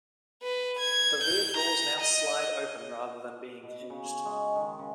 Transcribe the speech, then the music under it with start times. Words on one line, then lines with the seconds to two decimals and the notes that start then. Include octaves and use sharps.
The rear doors now slide open rather than being hinged.
0.43 B4
0.80 G#6
1.23 G6
1.57 A#5
2.01 D#5
3.63 B2
3.90 C#3
4.06 C#5
4.25 G#3
4.56 D#3
4.79 C#3